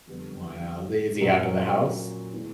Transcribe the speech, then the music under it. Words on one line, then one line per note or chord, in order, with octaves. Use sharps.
Wow, they is he outta house?
F2 D3 G3 B3
A#2 F#3 A#3 C#4
D#3 G#3 B3 E4